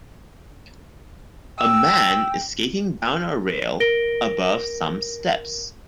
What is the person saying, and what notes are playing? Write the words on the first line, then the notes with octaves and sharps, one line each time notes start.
A man is skating down a rail above some steps.
G5 E6
A#4 A#6 D7 G7